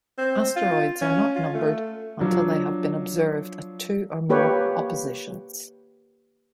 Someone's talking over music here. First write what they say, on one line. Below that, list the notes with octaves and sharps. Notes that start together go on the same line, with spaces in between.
Asteroids are not numbered until they have been observed at two or more oppositions.
C4
F4
C#4
F4
A3
F3 F#3 D4
A#3 G4 B4 C#5